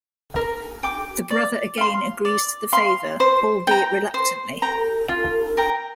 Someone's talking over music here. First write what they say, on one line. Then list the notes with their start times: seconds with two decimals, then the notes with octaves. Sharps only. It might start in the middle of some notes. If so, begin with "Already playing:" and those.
The brother again agrees to the favor, albeit reluctantly.
0.36 A#4
0.83 G5 D6
1.30 D5
1.77 F5 C6
2.25 D5
2.72 F5 C6
3.20 C5
3.67 G5 A#5
4.14 C5
4.62 G5 A#5
5.09 F4
5.57 A#4 G5 A#5